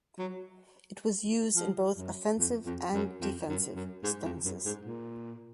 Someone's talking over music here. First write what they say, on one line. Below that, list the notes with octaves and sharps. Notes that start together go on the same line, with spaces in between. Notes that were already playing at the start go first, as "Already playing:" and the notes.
It was used in both offensive and defensive stances.
F#3
F3
F#2
F2
F2
F#2
F2
F#2
F#2
G#2
F2
F#2
G#2
A#2